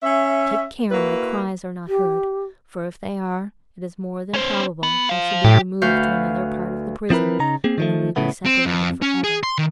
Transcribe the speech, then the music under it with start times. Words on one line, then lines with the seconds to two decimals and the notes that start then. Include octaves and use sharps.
Take care my cries are not heard, for if they are it is more than probable I should be removed to another part of the prison, and we be separated forever.
0.03 C#4 E5
0.91 A#3 E4 F#4 B4
1.88 G4
4.34 C#4 C5
4.83 B3
5.09 C5 F5
5.44 A2 G4
5.82 D2 F#4 B4 F5 F6 G6
7.10 F3 C4 E4 A#4 B4
7.40 C#3 D#4 A#5
7.64 A#3 C4 G#4
7.78 D#3 F3 A3
8.16 A2 C#3 A3 B3
8.45 C4
8.66 F2
9.02 C#4
9.24 G#4
9.43 C6
9.58 D#3